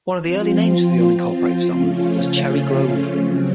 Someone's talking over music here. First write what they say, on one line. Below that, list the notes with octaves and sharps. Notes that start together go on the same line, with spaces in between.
One of the early names for the unincorporated settlement was Cherry Grove.
F3 C4 F4
C#3 F3 A3 C#4 F4
C#3 F#3 C4